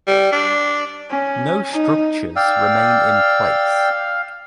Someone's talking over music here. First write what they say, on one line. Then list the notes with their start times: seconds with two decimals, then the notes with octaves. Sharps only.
No structures remain in place.
0.07 G3
0.32 D4
1.09 C#4
1.71 D#4
2.36 D5 F5 G5 E6